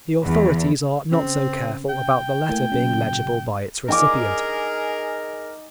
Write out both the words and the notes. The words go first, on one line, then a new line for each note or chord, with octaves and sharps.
The authorities are not so careful about the letter being legible by its recipient.
E2
C#3 C4
G5
A2 A#3 G#5
A#2 C#3 F#3
D#4 G#4 A#4 G#5 D6